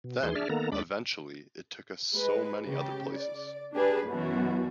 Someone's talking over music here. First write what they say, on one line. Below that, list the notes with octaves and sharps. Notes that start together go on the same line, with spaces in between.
Then, eventually, it took us so many other places.
B2
D#2 E3 G#4 C6
D4 G#4 D5 E5 F6
D#3 A#3 B3 A4 A#5
D#2 G#3 D4 B5 D6
G#3 B4
C#3 G4
D5
D4 G4 G#4 B4
F#2 B2 E3 F#4